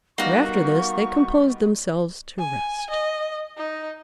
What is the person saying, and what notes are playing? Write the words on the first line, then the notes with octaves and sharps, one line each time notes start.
And after this they composed themselves to rest.
G3 A#3 B3 D#4 F#4 C#6
G#5
D#5
D#4